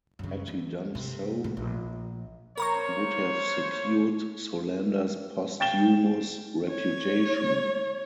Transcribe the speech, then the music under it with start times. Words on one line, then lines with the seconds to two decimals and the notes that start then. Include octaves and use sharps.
Had he done so, he would have secured Solander's posthumous reputation.
0.19 F#2 C#3
0.48 E2
0.95 G2 C3
1.44 C2 A2
1.57 A#1
2.58 A#3 A#4 C5 C#5 A#5 C#6
5.60 G5 A6 E7 G7
6.70 C#5